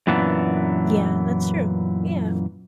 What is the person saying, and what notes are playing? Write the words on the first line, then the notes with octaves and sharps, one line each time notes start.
Yeah, that's true, yeah.
F#2 A#2 E3 B3 D4